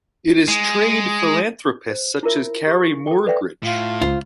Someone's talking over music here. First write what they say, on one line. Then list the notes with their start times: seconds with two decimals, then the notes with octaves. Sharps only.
It has trained philanthropists such as Carrie Morgridge.
0.48 G#3
1.90 C5
2.23 E4 F4 A#4 E5
2.67 G4 C#6
3.07 A4 G5
3.26 A4 B4 D5 E5 F#5 G5
3.63 A2 F4
4.01 C#2 F4 C5